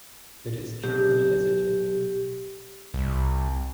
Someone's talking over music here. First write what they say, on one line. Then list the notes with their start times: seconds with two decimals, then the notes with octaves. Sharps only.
It is true I hesitate.
0.84 B1 G4
2.94 C2